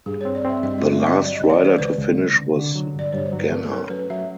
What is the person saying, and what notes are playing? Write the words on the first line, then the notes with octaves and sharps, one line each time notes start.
The last rider to finish was Ganna.
G2 G#4
C#5
C4
D5
C4 E5
G2 D#5
D#5
D3
E5
G3 D#5
F#3 D5
D#5
C#2
D5
D#3
C5
C#2 B4
C#2
C3
D3
D3
F#3
G2 D5
G2 C#5
C5
F#3
B4
A3 A#4
A4
C#4 A#4
F#3 B4
F#3 E5